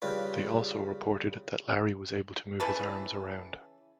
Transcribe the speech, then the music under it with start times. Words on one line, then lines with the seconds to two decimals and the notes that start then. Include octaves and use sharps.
They also reported that Larry was able to move his arms around.
0.02 C#3 G3 F4 B4
2.60 C#3 E3 B4 A5